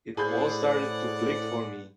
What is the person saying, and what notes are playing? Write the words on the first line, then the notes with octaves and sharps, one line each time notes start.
It all started to click for me.
A2 E4 G#4 C5 D5 F#5 B5 G6